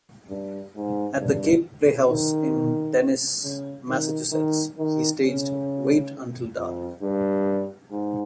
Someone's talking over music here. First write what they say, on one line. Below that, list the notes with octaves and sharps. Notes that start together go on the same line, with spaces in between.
At the Cape Playhouse in Dennis, Massachusetts, he staged "Wait Until Dark".
G2
G#2
G2
D#3
C#3
D#3
D#3
D#3
C#3
F2
G2
G#2